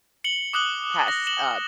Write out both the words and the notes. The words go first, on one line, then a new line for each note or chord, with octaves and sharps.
past, uh,
C#7 F#7 G7
D6 D#6 F#6 F#7 G7
A#6
E7 F#7 G7